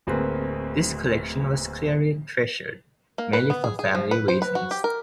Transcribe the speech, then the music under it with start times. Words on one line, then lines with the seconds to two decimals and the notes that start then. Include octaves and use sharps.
This collection was clearly treasured, mainly for family reasons.
0.07 D1 D2 A#3 C4 G#4 B4
3.18 A#3
3.33 B4
3.50 B3
3.64 G#4
3.79 G#4
3.95 F3
4.11 B4
4.28 C5
4.42 B4
4.55 F#4
4.71 G4
4.84 A#4